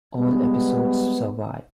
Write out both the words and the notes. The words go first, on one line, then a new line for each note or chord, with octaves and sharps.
All episodes survive.
G3 G#3 B3